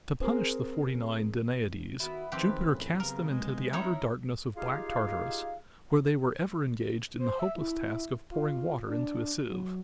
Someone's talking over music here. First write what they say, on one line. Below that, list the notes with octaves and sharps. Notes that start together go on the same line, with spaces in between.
To punish the forty-nine Danaides, Jupiter cast them into the outer darkness of Black Tartarus, where they were ever engaged in the hopeless task of pouring water into a sieve.
C4 G#4 A#4
D#3 B3 E4 F#4
D#3 F3 C4 G4 B4
B1 F#2 A2 E3
C#3 F#3 B3 C4 A#4
G#3
D#4 E4 A#4 C#5
D#4 F4 G4 G#4 F5
C5
E5
E4
F4
D4
F#3